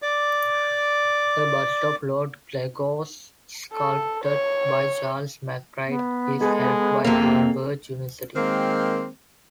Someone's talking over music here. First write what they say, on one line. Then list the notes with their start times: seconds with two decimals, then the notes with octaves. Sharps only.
A bust of Lord Glencorse, sculpted by Charles McBride, is held by Edinburgh University.
0.02 D5 D6
3.73 A4
4.24 C#5
5.88 B3
6.41 G#3 G#4 A4
7.05 F2 C3 A#3
8.35 D#3 G#3 A#3 C4